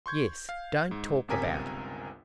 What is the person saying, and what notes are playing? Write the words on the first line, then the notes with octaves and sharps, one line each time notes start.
"Yes; don't talk about it."
C6 C#6 G6 G#6
F5
G#2
G1 C#2 C3 A#4 G#5 B6